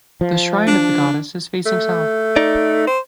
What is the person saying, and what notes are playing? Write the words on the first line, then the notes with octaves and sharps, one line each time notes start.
The shrine of the goddess is facing south.
F3
D4
A3
D#4 D5
C5